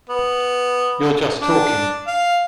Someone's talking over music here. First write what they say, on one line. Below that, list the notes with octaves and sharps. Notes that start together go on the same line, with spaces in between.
You’re just talking.
B3
D4
F5